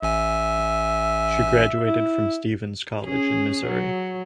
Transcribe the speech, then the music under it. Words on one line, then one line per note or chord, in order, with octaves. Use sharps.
She graduated from Stephens College in Missouri.
A1 E5 G#5
E4
C#4 G#4
F#3